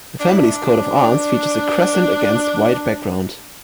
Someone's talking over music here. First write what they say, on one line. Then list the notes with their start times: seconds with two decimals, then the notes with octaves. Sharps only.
The family’s coat of arms features a crescent against white background.
0.20 D4
0.29 E4
0.38 D4